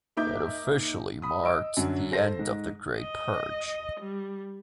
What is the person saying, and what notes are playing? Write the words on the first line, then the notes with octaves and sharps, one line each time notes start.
It officially marked the end of the Great Purge.
A#3 D#4 E5 D6 G6
B5 D#6
D#5 E6 D7
F#2 D3 F#3
A4 C5 A#6
G#2
D#5
G3